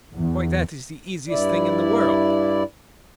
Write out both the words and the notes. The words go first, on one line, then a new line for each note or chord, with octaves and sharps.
Why, that is the easiest thing in the world.'
E2
G2 E4 D5